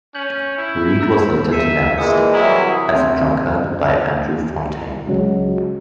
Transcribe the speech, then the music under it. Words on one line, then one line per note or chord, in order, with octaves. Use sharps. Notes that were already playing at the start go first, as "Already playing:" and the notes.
Read was later denounced as a drunkard by Andrew Fountaine.
C#4 G6 F#7
E4
A#5 E6
E5 C7 C#7 D#7
A#2 E3 G#3 D#6 C#7
C2 E3 F#3 E4 A#5 D#6 F#7
C3
C#2 F#3 G#3